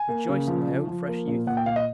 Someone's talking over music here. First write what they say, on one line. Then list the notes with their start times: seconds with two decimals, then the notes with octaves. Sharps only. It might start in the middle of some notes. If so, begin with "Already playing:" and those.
"Rejoice in thy own fresh youth!"
Already playing: G#5
0.08 A#3
0.29 C#3
0.48 F3
0.67 F3
0.87 F3
1.08 A#3
1.27 A#2
1.47 A#2 F#5
1.57 G5
1.66 A#2 F5
1.76 D#5